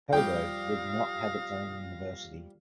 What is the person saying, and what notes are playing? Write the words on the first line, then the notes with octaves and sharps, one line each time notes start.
Coburg did not have its own university.
F3 G3 F5 G5 D#6 A#6